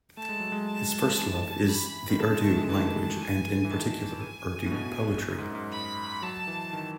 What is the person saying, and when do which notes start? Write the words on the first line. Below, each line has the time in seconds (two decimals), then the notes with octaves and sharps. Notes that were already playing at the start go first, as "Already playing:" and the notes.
His first love is the Urdu language and in particular Urdu poetry.
0.17 A3 A5
0.29 G#3
0.40 F#3
0.52 G#3
0.67 A5
1.19 E3
1.68 B5
2.09 D#3
2.19 C#3 A5
2.32 G#3
2.44 A3
2.57 G#3
2.69 E3 A5
2.78 D#3
2.87 E3
3.20 G#5
3.65 E3
3.71 D#3 A5
4.21 G#5
4.66 A2
4.72 B2
5.30 F#2
5.38 G#2
5.51 F#2
5.55 G#2
5.72 B5
6.22 F#3 A5
6.47 E3
6.73 D#3